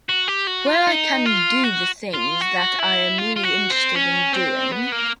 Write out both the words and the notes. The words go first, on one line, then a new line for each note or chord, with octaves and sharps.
Where I can do the things that I am really interested in doing?
F#4
G4
F#4
F4
D#4
F4
F#4
F4
F#4
E4
F4
F4
F#4
C4
C#4
C4
B3
A#3